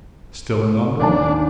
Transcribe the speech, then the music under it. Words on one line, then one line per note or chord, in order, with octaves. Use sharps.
"Still in London?"
D#2 D4 D5 G#5 A5